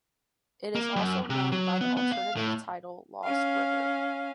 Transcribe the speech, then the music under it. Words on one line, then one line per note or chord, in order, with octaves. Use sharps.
It is also known by the alternative title Lost River.
A#3
F#2
C3
F#3
B3
B3
F5
A2
C#4 F5